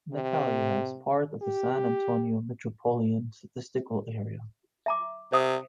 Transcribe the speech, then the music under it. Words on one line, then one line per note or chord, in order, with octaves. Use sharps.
Natalia is part of the San Antonio Metropolitan Statistical Area.
C3
G4
E5 A#5 D6
C3 C5 E5 D#6